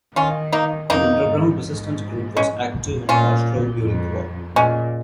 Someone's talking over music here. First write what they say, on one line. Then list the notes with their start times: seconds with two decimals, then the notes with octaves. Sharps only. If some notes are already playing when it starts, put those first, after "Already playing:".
An underground resistance group was active in Ostrov during the war.
0.16 D#3 C#4 F4
0.52 A#3 D#4
0.90 F2 A#3 D#4
1.26 G#2
1.63 G#2
2.37 G#3 C#4
3.09 A#2 C#4 F4
3.83 F2
4.56 A#2 G#3 C#4